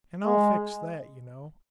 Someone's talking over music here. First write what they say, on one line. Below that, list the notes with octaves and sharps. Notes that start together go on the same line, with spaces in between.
And I'll fix that, you know.
G#3